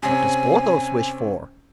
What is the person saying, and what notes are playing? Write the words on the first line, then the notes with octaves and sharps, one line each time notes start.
"What does Porthos wish for?"
C3 C4 C#4 G#5